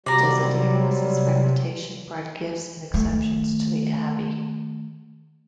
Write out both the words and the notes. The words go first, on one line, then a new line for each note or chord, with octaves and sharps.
Desiderius' reputation brought gifts and exemptions to the abbey.
C3 F#3 G3 D5 A#5
D#3 A3